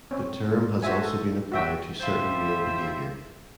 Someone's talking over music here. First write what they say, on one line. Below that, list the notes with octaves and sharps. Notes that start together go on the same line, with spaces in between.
The term has also been applied to certain male behavior.
C4 C#4
G#3
F#4 C5 D#5 E5 G#5
A4
F#4 E5 G5
G3 F4 C5 E5